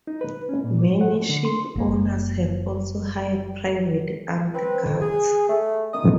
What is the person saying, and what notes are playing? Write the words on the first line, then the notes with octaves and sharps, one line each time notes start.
Many ship owners have also hired private armed guards.
D#4
B4
C#4
A#2
G#2
F#5
F3
D3
C6
F#1 A#3
C4 B4
F2
G#4
A3
D#3 D#6